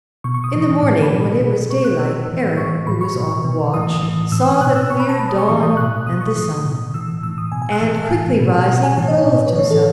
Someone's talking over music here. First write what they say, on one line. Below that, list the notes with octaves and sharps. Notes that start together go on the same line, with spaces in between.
In the morning, when it was daylight, Erec, who was on the watch, saw the clear dawn and the sun, and quickly rising, clothed himself.
B2 C#6
C#6
D#6
A2 E3
A2 E3
B5
B2
B2
B2 C#6
F#6
B2 E6
A2 E3
A2 E3 C#6
A2 E3 B5
C#6
B2
B2
A2 E3 D#6
A2 E3
A2 E3 E6
D#6
D#6
B2 F#6
E6
B2 C#6
B5
A5
B2 B5
D#6
C#6
A2 E3 C#6
D#6
B2 F#6
B2 D#6
C#6
A2 E3 D#6
B2
A2 E3 E6
A2 E3 E6
D#6
B2 G#5
G#5
F#6
A2 E3 E6
A5
A2 E3 G#5
B2
B2 F#5
G#5
A2 E3 A5
D#5
C#5
B2 D#5
B4
A2 E3 C#5
A4